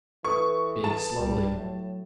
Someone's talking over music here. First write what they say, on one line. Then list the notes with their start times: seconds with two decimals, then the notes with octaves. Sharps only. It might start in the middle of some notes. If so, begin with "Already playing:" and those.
Bake slowly.
0.25 E3 A4 B4 C#6 D#6
0.84 A5
1.19 C2 G3
1.56 A2 F#3